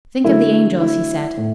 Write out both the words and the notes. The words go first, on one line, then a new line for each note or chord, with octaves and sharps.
"Think of the angels," he said.
D3 F#3 A3 E4
E4
A2